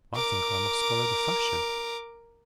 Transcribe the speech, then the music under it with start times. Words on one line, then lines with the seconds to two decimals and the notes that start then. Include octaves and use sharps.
I think I must follow the fashion.
0.15 A#4 D6